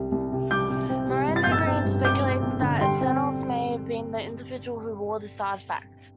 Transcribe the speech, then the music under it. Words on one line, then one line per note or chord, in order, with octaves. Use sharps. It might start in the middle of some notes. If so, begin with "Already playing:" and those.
Miranda Green speculates that Senilis may have been the individual who wore this artifact.
Already playing: C2 C3
C2
C3
G3 D6 G6
C3
C4
C3
G2
A6
G1 G6
E6 A6
C4
G2
C4 D6 G6
C4
G1
D3
G3 G5 C6
C4